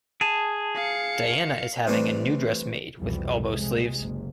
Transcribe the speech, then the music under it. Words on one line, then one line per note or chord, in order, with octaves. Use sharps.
Diana is having a new dress made with elbow sleeves.
G#4 A5
F5 C#7
C3 E3 G3 A3 C4 D4
C2 F2 B2 E3 G3
C3 G#3
F#1